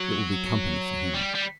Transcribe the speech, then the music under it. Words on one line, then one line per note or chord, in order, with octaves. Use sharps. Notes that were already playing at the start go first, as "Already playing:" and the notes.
It will be company for him.'
Already playing: F#3
G3
G3